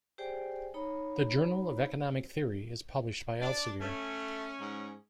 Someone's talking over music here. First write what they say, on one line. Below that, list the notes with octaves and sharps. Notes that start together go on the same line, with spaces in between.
The "Journal of Economic Theory" is published by Elsevier.
G4 G#4 C5 D5 G5 G#5
D#4 C#5 A#5 B5
D4 D5
A3 C#4
G#2